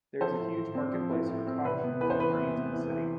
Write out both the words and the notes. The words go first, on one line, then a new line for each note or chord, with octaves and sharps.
There is a huge market place for cotton and food grains in the city.
F3 A4 C5
A2
A2
C4
F3
A2
A2
C4
C3 B4
B3
E2 B4
C5
E3 B4
C3
B3
E2
E3